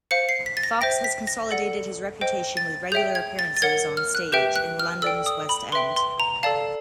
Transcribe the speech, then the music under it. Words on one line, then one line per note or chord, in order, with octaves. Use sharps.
Fox has consolidated his reputation with regular appearances on stage in London's West End.
C5 F5 C#7
C7
B6
A6
A#6
C5 E5 G5 A#6
B6
A#6
A4 D5 F#5
C5 D#5 G5
A6
G#4 C#5 E5 G5 G6
G#6
A6
A6
A#4 C#5 F#5 G#6
F6
F#6
G4 B4 E5 G5 G6
F#6
F6
A4 D5 G5 E6
D#6
B5
B4 E5 G5 C6
C6
A#5
A4 D5 F5 A5